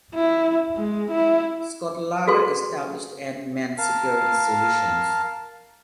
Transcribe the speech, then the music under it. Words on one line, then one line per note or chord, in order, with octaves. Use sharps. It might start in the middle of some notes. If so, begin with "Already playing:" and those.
Scott later established Ant-Man Security Solutions.
E4
G#3
E4
F#4 G#4 A4 B4 G#5 C6
A#4 F5 A5